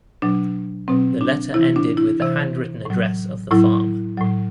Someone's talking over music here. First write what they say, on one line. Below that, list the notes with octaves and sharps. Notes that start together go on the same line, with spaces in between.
The letter ended with the handwritten address of the farm.
B2 F#3 D4
B2 F#3 C4
D4
C3 E3 E4
D4
E4
C3 E3
A2 F#3
A2 F#3 E4
A2 F#3